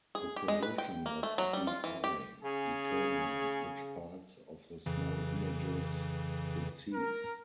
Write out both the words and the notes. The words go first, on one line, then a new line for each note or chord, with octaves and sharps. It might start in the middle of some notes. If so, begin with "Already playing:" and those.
The position of the eye determines which parts of the small images it sees.
G#4
G4
G#3
B4
G5
A#3
A3
F#3
G3
F4
E3
G4
C#3 G#4
F2 C#3 E3
A#4